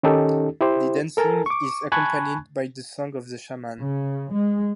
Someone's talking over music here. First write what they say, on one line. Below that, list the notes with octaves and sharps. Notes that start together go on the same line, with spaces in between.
The dancing is accompanied by the song of the shaman.
D#3 C#4 D#4 G4 A4
E4 G4 C5
A4 A#4 G#5 A5
C#6 D6
G#5 A5 B5 C#6 F#6 G#6
C#3
G#3